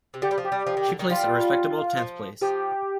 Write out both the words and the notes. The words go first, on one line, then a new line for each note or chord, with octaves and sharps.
She placed a respectable tenth place.
C3
D3 G4
G3
F3
G4
G3
F3
D#3
D3
D#3
G3 F4
F3
F3 G4